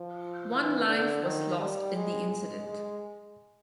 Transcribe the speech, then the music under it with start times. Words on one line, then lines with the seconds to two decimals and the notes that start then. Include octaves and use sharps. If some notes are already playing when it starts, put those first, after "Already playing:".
One life was lost in the incident.
Already playing: F3
0.51 E3
0.87 D3
1.23 D#3
1.59 G3
1.95 G#3
2.32 G#3
2.68 G#3